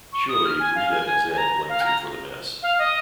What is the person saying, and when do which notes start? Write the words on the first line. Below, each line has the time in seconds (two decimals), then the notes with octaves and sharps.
Surely, Rita and Zedd blames him for the mess.
0.13 C#6
0.29 D#6
0.44 F6
0.60 G#5
0.76 F5
0.91 G#5
1.31 G#5
1.38 A#5
1.69 F5
1.81 G#5
1.85 A#5
2.63 F5
2.79 D#5